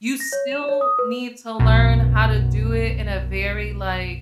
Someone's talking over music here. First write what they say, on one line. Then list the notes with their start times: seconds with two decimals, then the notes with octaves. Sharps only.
you still need to learn how to do it in a very, like,
0.20 A#6
0.32 C#5
0.51 E7
0.69 C#5
0.81 D#6
0.99 B4
1.59 B1 F#2 B2